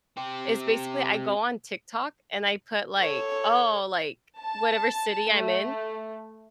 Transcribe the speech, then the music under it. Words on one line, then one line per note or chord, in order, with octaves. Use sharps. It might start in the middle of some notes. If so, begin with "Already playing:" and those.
is basically, I go on TikTok, and I put, like, "Oh," like, whatever city I'm in
C4 G4
A4 C#5
A5
A3